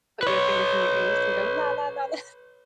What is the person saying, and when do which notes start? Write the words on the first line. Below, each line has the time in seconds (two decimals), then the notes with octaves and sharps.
put your fingers in your ears, and go, la, la, la, la
0.23 B4 C#5